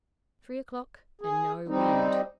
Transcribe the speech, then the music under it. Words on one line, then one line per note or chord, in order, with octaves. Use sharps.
Three o'clock and no wind.
G#4
G3 C4 D#4